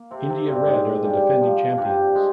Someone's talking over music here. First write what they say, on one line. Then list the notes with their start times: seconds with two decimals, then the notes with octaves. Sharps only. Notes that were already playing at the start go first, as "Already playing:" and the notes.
India Red are the defending champions.
Already playing: A#3
0.11 C3 C4
0.30 C3 C4
0.48 G2 G3
0.67 G#2 G#3
1.04 G2 G3
1.41 F3
1.77 G2 G3
2.15 G#3